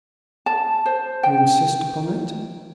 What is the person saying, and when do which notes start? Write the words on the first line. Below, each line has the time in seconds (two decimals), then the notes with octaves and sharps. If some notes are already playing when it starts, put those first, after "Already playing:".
"You insist upon it?"
0.46 A5
0.86 C5
1.23 G5